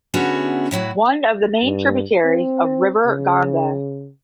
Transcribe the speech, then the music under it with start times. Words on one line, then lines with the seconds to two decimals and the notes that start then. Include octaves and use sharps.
One of the main tributaries of river Ganga.
0.14 D3 B3 C#4 E4 F#4 G#4
0.71 A2 F#3 E4 F#4
1.64 G2
2.24 C4
3.06 C#3